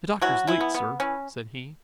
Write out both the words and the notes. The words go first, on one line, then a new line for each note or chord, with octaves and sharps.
"The Doctor's late, sir," said he.
E3 F#3 F#4
E3 E4
B3
B3
E3 C#4